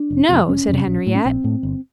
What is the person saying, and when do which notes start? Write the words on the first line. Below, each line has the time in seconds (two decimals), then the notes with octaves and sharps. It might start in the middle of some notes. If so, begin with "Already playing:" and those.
"No," said Henriette.
Already playing: D4
0.10 F1
0.29 F2 C3
0.48 F1 C#4
0.68 F2 C3
0.87 A#1
1.07 A2
1.15 C#4
1.25 A#1 C4
1.44 A2
1.63 G1